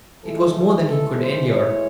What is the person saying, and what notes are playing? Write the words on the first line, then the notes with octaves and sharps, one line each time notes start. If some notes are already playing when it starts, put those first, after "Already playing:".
It was more than he could endure.
A2 E3 G#3 A4
A4
C5
C#5